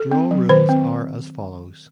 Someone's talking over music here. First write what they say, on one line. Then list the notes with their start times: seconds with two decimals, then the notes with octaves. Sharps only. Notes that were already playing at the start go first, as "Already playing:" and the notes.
Draw rules are as follows.
Already playing: A4
0.12 C4
0.31 F#3
0.49 D#3 C5
0.69 C4